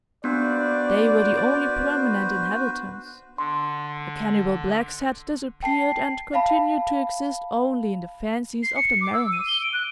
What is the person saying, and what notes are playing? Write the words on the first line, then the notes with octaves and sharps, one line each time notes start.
They were the only permanent inhabitants; the cannibal blacks had disappeared, and continued to exist only in the fancies of the mariners.
B3 D4 F#4 B4 C5 D5
D3 C6
G5 A5 C7
E5 F5 A5 B5
C7
C#7
D6
E6
D#7
G7
D7
F#6